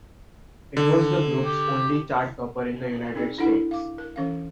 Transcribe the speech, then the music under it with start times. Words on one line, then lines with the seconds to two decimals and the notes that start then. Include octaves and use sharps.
It was the group's only chart-topper in the United States.
0.77 D3
1.45 G4
3.15 C4 D#4 G#4 D5
3.38 D4 E4 F4 A4 F#5 B5
3.71 F5 D6
3.98 A#4
4.16 E3 C#4 A4 F5